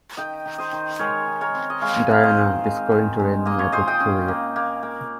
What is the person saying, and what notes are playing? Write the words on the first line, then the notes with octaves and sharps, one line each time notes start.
Diana is going to lend me a book to read.
D#3 D#5 G5
D#3
C5 D#5
D#3
G#3 A#4 C#5
D#3
A#4 C#5
C4
D#5
G#3 C#5 F5
C4 F5
C5 D#5
D#3
G#3
D#3
G#3
A#3 D#5
C#5
A#2 C5 D#5
D#5 G5
C#4
A#3
A#3
A#3